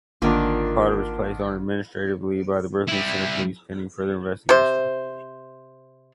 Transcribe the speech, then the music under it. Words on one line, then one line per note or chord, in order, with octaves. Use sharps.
Potter was placed on administrative leave by the Brooklyn Center police pending further investigation.
G#1 D3 D#3 A#3 D4 F4
G3 E4
C3 C5